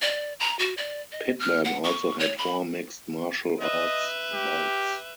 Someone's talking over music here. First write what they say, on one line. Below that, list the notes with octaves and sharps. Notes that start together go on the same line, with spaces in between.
Pittman also had four mixed martial arts bouts.
D5
A#5
F#4
D5
D#5
F6
F#5
C#6
C#5
B5
B4 D#5 E5
G4